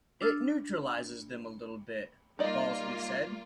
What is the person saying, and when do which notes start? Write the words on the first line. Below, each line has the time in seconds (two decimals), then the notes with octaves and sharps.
"It neutralizes them a little bit," Balsley said.
0.22 D4 E6 F6 A6
2.39 G3 A#3 D#4 F4 D5 D#5